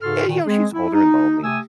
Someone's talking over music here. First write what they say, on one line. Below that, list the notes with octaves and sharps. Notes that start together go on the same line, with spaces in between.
And, you know, she's older and lonely.
G#2 C#3 F#4 A4 C6 F6
A#2 D3 D#3
G#3 C4 G#4
E4
D#4
C3 A3 G4 G#5 D#6 E6